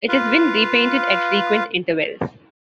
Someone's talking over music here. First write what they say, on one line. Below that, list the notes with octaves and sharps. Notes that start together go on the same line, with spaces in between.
It has been repainted at frequent intervals.
F4 B4 F5